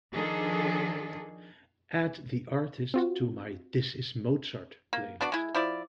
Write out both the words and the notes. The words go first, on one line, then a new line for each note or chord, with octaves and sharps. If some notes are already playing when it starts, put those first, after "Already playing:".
Add the artist to my This Is Mozart playlist.
D#3 F3 D4 G#4 A4
C4 F4 F#4
A#3
B3 D4 F#4 D5
G#3 E4
F3 E4 D5